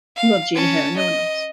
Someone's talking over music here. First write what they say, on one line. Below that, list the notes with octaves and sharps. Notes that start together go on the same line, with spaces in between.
You are the Gina here, and no one else.
F5
C#4 A5
D#5